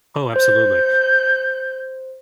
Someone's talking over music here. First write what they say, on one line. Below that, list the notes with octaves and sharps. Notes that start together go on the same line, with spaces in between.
Oh, absolutely.
C5 G6